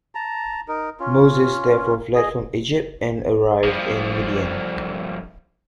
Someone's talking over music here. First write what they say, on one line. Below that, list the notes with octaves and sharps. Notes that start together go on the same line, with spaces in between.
Moses therefore fled from Egypt and arrived in Midian.
A5 A#5
D#4 A#4
C#4 F4
G#4 D#5
G2 F3